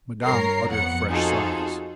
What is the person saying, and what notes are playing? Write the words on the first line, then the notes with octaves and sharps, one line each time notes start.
Madame uttered fresh sighs.
G2 A#4 C#5 A#5 C7
F2 B3 F#5 C#7
C4 D#4 F4 F#4 G#4 A4